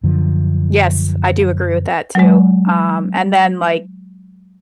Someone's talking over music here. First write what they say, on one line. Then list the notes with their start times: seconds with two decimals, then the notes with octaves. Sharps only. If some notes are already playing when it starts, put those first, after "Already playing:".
Yes, I do agree with that too. Um, and then, like,
0.03 F#2 D3 F3
2.15 F#3 G#3